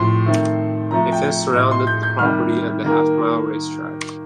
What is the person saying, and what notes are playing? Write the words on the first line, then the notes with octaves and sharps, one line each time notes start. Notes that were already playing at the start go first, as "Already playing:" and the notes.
A fence surrounded the property and the half-mile racetrack.
Already playing: A2 F3 C4 C6
D#3 A3 C4
C3 F3 A3 A#5
G5
A2 A3 C4 D#5
C6
G6
G6
C3 D#3 G3 F6
D#3 A#3